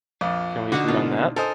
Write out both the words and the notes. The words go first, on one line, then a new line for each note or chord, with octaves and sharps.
Can we agree on that?
A#1 F2
D3 D4 D#4 F#4 F#5
B2 E3 A#3 F4
A4 A#4 C5 D#5 G#5